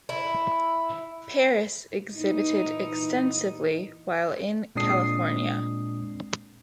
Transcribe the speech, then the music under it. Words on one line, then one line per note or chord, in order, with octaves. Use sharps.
Paris exhibited extensively while in California.
E4
A#2 E3 D#4
A#2 G#3 C4 D4 D#6 C7